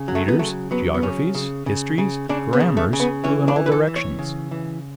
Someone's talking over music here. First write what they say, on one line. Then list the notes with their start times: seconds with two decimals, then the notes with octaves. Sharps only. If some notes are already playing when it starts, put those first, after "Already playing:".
Readers, geographies, histories, grammars flew in all directions.
Already playing: C#3
0.08 F#3
0.15 A3
0.28 B3
0.39 C#3 A3
0.71 F#3 B3
0.94 B3
1.02 C#3 C#4
1.35 C#3
1.66 C#3
1.98 C#3
2.29 C#3 D4
2.53 B3
2.60 C#3
2.77 A3
2.93 C#3
3.00 B3
3.24 E3 C#4
3.48 D4
3.56 E3
3.66 B4
3.72 A4
3.87 E3
3.96 C#5
4.19 C#3
4.51 E3